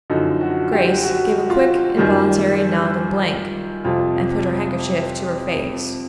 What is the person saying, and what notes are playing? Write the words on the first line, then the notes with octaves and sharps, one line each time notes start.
Grace gave a quick, involuntary nod and blink, and put her handkerchief to her face.
F#2 D3 F3 D#4
F#4
G4
F#4
F4
F#2 D#3 G3
F2 C3 F3 F4